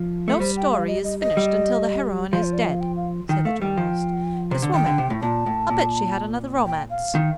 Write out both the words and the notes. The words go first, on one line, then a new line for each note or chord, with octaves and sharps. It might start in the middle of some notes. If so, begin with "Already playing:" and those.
"No story is finished until the heroine is dead," said the Journalist. "This woman,--I'll bet she had another romance."
Already playing: F3
A3
G3 C5
G5
F5
D#5
D#5
D#5
G3
F3 F5
C5
D5
D#5
F5
G5
F5
D#3 G5
A3 F5
G3 G5
F3
C3
D3
D#3 G5
D3
C3
A2
A#2 A5
A2
A#2
G5
F5
D#3